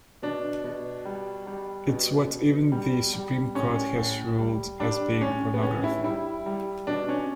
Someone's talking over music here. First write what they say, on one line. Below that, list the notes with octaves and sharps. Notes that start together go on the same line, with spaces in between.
It's what even the Supreme Court has ruled as being pornographi.
B2 D4
B2
G3
G3
B2
B2
G3
G3
A2 C#4
A2
G3
G3 D4
A2 C#4
B3
A2 C#4
E4
G3 E4
G3
B2 D4
C#4